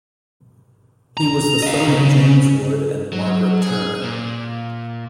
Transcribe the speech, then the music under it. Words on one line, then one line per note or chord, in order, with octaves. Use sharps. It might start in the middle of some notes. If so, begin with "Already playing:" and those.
He was the son of James Wood and Margaret Turner.
A#5
D#5 F5
C#3
F#3
G#4
A#2